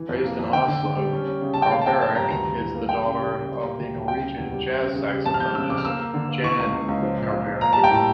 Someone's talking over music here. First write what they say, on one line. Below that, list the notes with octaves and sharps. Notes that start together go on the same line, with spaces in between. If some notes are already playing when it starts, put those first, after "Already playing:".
Raised in Oslo, Garbarek is the daughter of the Norwegian jazz saxophonist Jan Garbarek.
Already playing: E3
F2
A#3
F2
D3 G5
D3
D3
G3
C#4
C#4
C#3
C#3 A5
G5
A#3 F5
A5
F3 G5
A#3 A5
G2 A#5
D2 A#5
D2
E3
A#3
G3 G5
C#3
G3
C#3
G3
A#3
D2
D2
G3 G5
C#3
E2
G3
C#4
C#3
C#3
G3
F2 A5
F6
F2 G6
C#3 E6
F2 D6
F6
A#3 E6
A#3
D3
A#3
E3 C#6
C#2
C#2
C#2
F3
A#2
A#2
F3
A#3 A#5
G3 A5
G5
A2 A5